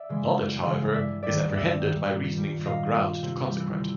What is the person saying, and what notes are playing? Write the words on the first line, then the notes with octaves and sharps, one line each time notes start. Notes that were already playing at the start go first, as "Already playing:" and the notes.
Knowledge, however, is apprehended by reasoning from ground to consequent.
Already playing: D5 E5
C#3 E3 G#3
F#2
C#3 E3 G#3
G2 D5 E5
D#3 G3 D5 E5
G2 D5 E5
D#3 G3
A#2
G3
A#2 D#5 F5
G3
C3
E3 G3
C3